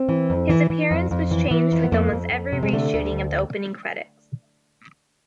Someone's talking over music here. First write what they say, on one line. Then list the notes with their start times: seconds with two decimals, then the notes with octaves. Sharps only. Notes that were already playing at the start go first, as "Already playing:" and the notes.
His appearance was changed with almost every reshooting of the opening credits.
Already playing: C4
0.09 E3
0.30 F2
0.49 E3
0.70 E3
0.91 F2
1.11 F2
1.31 E3
1.51 E3
1.72 F2
1.84 B3
1.92 F2 A#3
2.12 F2
2.32 F2
2.52 C3
2.63 G#3
2.73 D3 A3
2.94 D2